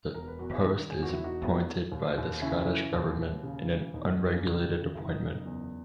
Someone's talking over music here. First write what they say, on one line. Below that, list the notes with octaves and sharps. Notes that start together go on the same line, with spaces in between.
The post is appointed by the Scottish Government in an unregulated appointment.
E1 A#4
B4
E2 F#4 A#4
E4 G#4
D#3
E1 G#4
F#4
E1 E4
D#4 F#4
E2
E3
D#2
D#2
C#3 C#4 E4
E3
D#2
D#2
C#3
E3
D#2 B3 D#4
D#2
D#4
A#3 C#4
C#3
D#3
F#1 E4
B3 D#4
F#1
E2